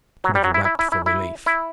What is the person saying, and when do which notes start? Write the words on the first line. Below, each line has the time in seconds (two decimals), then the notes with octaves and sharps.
I could have wept for relief.
0.24 F#3
0.35 G3
0.44 F#3
0.54 E4
0.65 E4
0.79 E4
0.92 E4
1.06 E4
1.46 E4